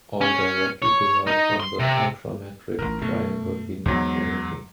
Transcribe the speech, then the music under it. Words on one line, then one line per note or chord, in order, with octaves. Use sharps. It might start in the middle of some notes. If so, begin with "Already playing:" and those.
All directly derive from the ultrametric triangle inequality.
C#4
C#5
D#4
C6
C3
A1 G#2 A#4
F#2 B2 A3
E2 G#2 F#3 B3